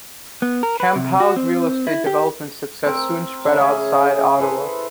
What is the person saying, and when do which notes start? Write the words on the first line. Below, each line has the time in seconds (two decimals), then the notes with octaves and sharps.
Campeau's real estate development success soon spread outside Ottawa.
0.42 B3
0.63 A#4
0.80 B4
0.96 C3
1.20 F#4
1.36 C4
1.87 E4
2.06 G4
2.86 C4 A#4
3.45 C#3 E5 G5 B5
3.60 C#4 G#4
4.39 E4 A4 B4 C5